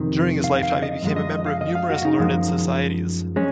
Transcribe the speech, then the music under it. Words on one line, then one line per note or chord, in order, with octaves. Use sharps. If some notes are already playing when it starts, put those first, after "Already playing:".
During his lifetime he became a member of numerous learned societies.
Already playing: F2 C3 D#3
F5
F5
D#5
F#2 F3 G#3
D#5
D#5
F5
D#5
F5
F#4
D#4
F#2 F3 G#3
G#3 C#4